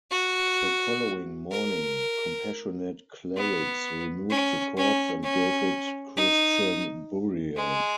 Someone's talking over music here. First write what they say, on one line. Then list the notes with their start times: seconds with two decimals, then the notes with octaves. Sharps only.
The following morning compassionate clerics removed the corpse and gave it Christian burial.
0.11 F#4
1.51 A#4
3.37 B3
4.30 C#4
4.77 C#4
5.23 C#4
6.17 D#4
7.56 G#3